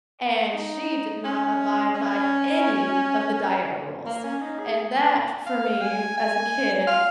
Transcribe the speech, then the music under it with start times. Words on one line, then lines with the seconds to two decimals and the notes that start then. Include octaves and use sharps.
and she did not abide by any of the diet rules. And that, for me as a kid,
0.54 D#4
1.25 C#4
1.95 C#4
4.06 A#3
4.24 C#4
4.41 D#4
4.59 G#4
5.46 F5
5.81 G#5
6.17 G#5
6.87 F5